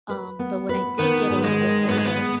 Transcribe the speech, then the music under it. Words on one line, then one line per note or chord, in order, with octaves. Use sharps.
Um, but when I did get a little bit older
B4
B3
B4
D#3 B3
G#2
G#3
D#3
G#2 B3
G#3
B3
G#3